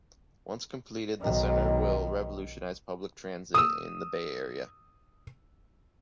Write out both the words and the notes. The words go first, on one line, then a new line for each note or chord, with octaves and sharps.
Once completed, the Center will revolutionize public transit in the Bay Area.
B1 D#3
D#6 E6